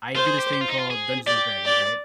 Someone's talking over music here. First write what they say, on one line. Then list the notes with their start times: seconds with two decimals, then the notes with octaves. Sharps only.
I do this thing called Dungeons and Dragons, right?
0.15 F4 C5
0.27 G#4
0.39 G4
0.53 G4
0.61 F4
0.69 D#4
0.78 F4
0.90 G#4
1.27 G4 D5
1.65 D5